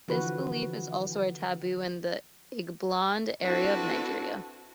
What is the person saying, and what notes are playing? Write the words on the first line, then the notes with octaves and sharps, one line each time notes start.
This belief is also a taboo in the Igboland area of Nigeria.
D3 E3 F3 F#4 B4
C4 D4 E4 F#4 A4 B4